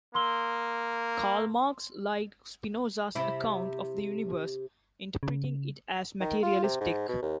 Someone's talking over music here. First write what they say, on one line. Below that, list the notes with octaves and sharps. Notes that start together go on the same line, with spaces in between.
Karl Marx liked Spinoza's account of the universe, interpreting it as materialistic.
A#3 C6 E6 G7
C3 E4
C#3
D#3
F4
C3
G#2
B2
D#2